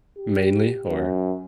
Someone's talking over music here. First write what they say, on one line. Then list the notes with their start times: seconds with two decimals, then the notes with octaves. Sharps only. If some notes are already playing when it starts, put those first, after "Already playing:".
mainly or
0.17 G4
0.89 F#2